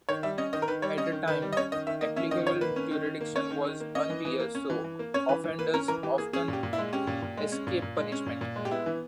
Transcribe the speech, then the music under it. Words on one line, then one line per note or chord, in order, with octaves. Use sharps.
At the time, applicable jurisdiction was unclear, so offenders often escaped punishment.
D#3 C#5
G3 E5
C#4 D#5
D#3 D#5
A#4
D#3 B4
G3 C#5
C#4 D#5
D#3
D#3 B4
G3
D#5
C#4 C#5
D#3 D#5
D#3 E5
A#3 D#5
C#4 E5
D#3 D#5
D#3 C#5
A#3 B4
C#4
D#3
D#3
A#3
C#4 C#5
D#3
D#3
A#3
C#4 D#5
E3
E3
A#3
C#4
E3
E3
A#3
C#4 C#5
E3 B4
E3
A#3 B4
C#4 A#4
E3 A#4
E3 G4
A#3 G#4
C#4 G#4
A#2
G4
A#2
E4
G#3
C#4 G4
A#2
A#2
G#3
C#4
A#2
A#2
G#3
C#4
A#2
A#2
G#3
G4
B3 E4
E3